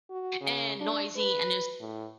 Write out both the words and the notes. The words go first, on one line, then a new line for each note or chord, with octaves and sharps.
and noisy, and there's
F#4
C#3
D4
B4
A2